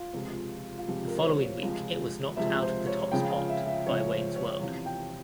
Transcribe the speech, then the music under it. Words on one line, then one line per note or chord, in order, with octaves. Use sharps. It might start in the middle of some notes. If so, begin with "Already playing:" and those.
The following week it was knocked out of the top spot by "Wayne's World".
Already playing: F4
C#2 C3 F3 G#3
F4
C#2 C3 F3 G#3 G4
A#4
C#5
C5
C#2 C3 F3 G#3
C#2 C3 F3 G#3 E5
C5
C#5
C#2 C#3 F3 G#3 G5
F5
E5
E5
C#2 C#3 F3 G#3 C#5
C5
C#5
E2 C3 F3
G5